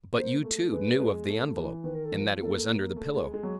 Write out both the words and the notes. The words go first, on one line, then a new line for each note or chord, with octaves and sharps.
"But you, too, knew of the envelope and that it was under the pillow."
A#3 C5
A3
G#3 B4
G#3
A3
E3
D#3 B4
A#4
A4
F3 A#4
A#3 A4
A#3
A3
G#3
G#3
F#3